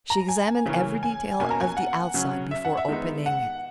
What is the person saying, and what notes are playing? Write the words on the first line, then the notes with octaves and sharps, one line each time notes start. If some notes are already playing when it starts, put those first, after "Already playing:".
She examined every detail of the outside before opening it.
A#5
G#5
C#3 E3 A#3 C#4
G#5
B2 A#3 C#4 G#5
A#5
G#5
F#5
C#3 F#3 C#4
E5
F#5
E5
D#3 G#3 B3 D#4
F#5